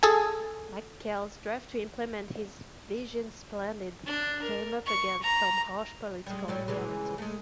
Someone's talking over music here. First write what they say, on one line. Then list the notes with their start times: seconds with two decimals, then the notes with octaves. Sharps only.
McKell's drive to implement his 'vision splendid' came up against some harsh political realities.
0.03 G#4 A4 G#5
4.06 D4
4.42 A#4
4.86 C#6
5.23 A#5
6.26 G3 G#3
6.48 A2 F#3 G3
6.68 C#3 E3 G#3
7.18 G#3 A3